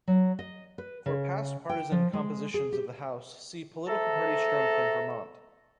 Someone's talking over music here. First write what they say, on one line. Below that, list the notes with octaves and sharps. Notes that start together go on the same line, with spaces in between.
For past partisan compositions of the House see Political party strength in Vermont.
F#3
D#5
B4
C#3
G5
F3
G#3
G#4
G4
G#2 A3 A4 A5 A#5